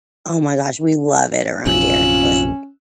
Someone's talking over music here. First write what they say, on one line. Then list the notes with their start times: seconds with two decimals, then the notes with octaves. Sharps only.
Oh my gosh, we love it around here. Like
1.66 A#1 F#2 C3 C#4 F4 E6 F#6